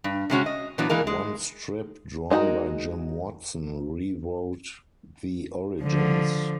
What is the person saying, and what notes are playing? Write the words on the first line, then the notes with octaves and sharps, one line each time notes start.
One strip drawn by Jim Watson rewrote the origins.
G2
C3 G#3 C#4 F#4
D#5
A#2 E3 F#3 B3 D4
E3 G#3 A#3 A#4
G#3
G#3 D4 D#4 F#4 A#4
D3 F3